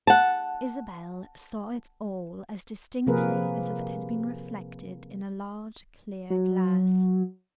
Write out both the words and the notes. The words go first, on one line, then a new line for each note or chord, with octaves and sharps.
Isabel saw it all as distinctly as if it had been reflected in a large clear glass.
F#5 A5
C3 F3 A#3 G#4 A#4 B4
F#3